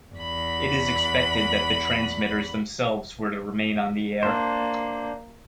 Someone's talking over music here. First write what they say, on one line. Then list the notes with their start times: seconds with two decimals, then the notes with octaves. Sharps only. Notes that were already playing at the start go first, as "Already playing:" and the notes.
It is expected that the transmitters themselves were to remain on the air.
0.14 E2 B5
4.23 A#3 D4 C5